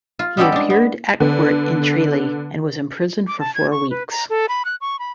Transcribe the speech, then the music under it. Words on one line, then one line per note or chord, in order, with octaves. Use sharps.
He appeared at court in Tralee and was imprisoned for four weeks.
F4
G3 G#3 B3 C#4 G4 A4
G#3 D4
B3
D3 B3
D6
A5
G#6
C#6
B4
A#5
A4
B5
F#6
C#6
B5